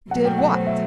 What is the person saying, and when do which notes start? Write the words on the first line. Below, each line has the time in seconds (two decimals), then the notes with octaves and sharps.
"Did what?"
0.11 B2 F#3 A3 F#5
0.25 G5
0.38 F#5
0.53 C5
0.67 E5